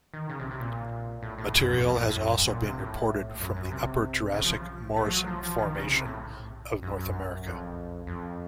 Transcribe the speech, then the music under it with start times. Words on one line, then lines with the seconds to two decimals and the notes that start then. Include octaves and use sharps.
Material has also been reported from the Upper Jurassic Morrison Formation of North America.
0.14 D#3
0.30 C#3
0.39 C3
0.51 C3
0.60 A#2
1.23 A2
1.38 A2
1.53 F#2
1.70 F2
1.85 F2
1.95 A2
2.09 A2
2.16 F#2
2.47 A#2
2.63 C3
2.79 A2
3.40 F#2
3.56 F#2
3.72 C3
4.34 C#3
4.45 F3
4.96 A3
5.06 F3
5.11 F#3
5.27 F3
5.43 F3
5.58 D#3
5.75 C#3
5.90 C3
6.05 A2
6.83 F#2
6.99 F#2
7.46 F2
8.07 F2